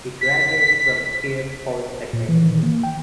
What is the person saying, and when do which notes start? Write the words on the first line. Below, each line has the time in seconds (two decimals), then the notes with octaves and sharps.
He graduated from Kyiv Polytechnic Institute.
0.21 B6
2.13 A#2
2.29 E3
2.44 D#3
2.63 A#3
2.83 G5